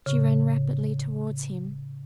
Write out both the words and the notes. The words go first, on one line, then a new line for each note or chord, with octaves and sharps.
She ran rapidly toward him.
A2 C#3